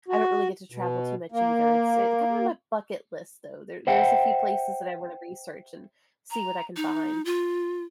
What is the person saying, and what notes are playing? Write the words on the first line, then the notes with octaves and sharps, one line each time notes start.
I don't really get to travel too much either. It's, uh, kinda on my bucket list, though. There there's a few places that I wanna research and see what I can find.
F#4
B2
A#3
C5 E5 F#5 G5
A#5
D#4
F4